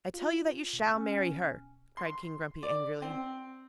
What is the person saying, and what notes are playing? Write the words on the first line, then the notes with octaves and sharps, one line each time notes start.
'I tell you that you shall marry her,' cried King Grumpy angrily.
F4
B2
C#4
C6
D5
C4